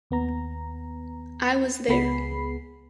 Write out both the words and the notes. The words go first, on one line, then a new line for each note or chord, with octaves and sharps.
I was there.
D#2 B3 A#5
C#2 B3 G#4 B5 C7